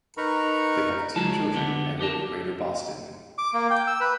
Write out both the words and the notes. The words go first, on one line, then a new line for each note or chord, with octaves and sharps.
They have two children and live in greater Boston.
D#4 A#4 B4 A#5 B5 C#6
C#2 G#3 A5
D3 B3
D4 G4 A#4 A5
D6
A#3
G5
E6
B4